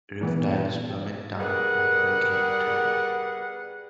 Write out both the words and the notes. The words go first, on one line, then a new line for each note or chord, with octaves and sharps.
Roof tilers plummet down and break in two.
A#2 E3 B3
G3 B3 G#4 A#4 F#5